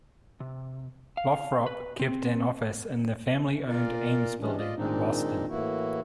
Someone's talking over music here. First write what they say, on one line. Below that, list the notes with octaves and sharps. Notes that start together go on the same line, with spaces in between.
Lothrop kept an office in the family-owned Ames Building in Boston.
C3
F5
B4
C4
A#2 F4 A#4 D5
E3 G3 G#3 C#4 D4
F4 D5 D#5
A#2 D#3 G#3 C4 D4 D#4
A2 E3 A#3 E4 F#4